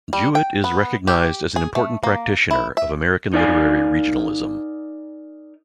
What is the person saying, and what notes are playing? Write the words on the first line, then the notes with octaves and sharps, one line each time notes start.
Jewett is recognized as an important practitioner of American literary regionalism.
G3
G5
B3
G4
G#4
A3
A#3
E4
E5
D#4 A#4 D5 F5 G#5